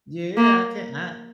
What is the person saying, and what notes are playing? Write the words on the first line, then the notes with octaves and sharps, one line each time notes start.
Yeah, I can't I
A#3